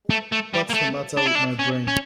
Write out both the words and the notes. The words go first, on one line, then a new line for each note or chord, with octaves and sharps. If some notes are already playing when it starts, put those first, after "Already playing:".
What's the matter with my brain?
A3
A3
G3
A#3
A3
D4
E4
D4
C#4
C#4